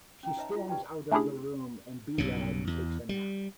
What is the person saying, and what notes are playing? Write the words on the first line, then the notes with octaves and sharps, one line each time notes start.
She storms out of the room and B-Rad takes a nap.
C#4 G5 A#5
D#4 B4 C#5 D#5 E5 A#5
E4 F4
G4 B4 D5 G5 A5 B5
A3 C#4 D4 E4 G4 G#4
B1 G2 C#3
E2
G3